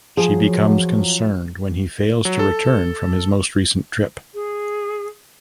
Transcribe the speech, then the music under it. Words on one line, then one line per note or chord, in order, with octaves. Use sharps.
She becomes concerned when he fails to return from his most recent trip.
F3 F#3 G#4
F#3
A4
G#4